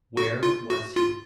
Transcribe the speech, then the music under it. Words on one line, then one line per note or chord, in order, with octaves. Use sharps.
Where was he?
F#4
F4
F#4
F4